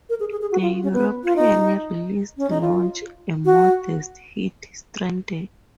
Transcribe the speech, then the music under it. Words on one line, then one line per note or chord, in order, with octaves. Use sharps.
The European release launched a modest hit, "Stranded".
A#4
G#4
G#4
G#4
F#4
F4
C#4
B3
F4
D#4
C#4
D#4
F4
F#4